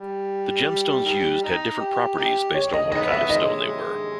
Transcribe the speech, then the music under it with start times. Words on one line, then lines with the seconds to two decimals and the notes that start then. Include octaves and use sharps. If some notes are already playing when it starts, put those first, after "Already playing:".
The gemstones used had different properties based on what kind of stone they were.
Already playing: G3
1.06 D#3 G3
1.44 D#4
1.80 G4
2.17 D#4 G4
2.54 C#5
2.74 D#5
2.92 D#3 G#3 B3 D#5
3.11 E5
3.29 D#3 G#3 D#5
3.67 G#3